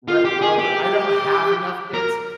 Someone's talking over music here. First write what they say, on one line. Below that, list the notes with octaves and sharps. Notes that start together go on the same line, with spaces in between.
Red Rover, I don't have enough kids
F4
G4
G#4
G4
A#4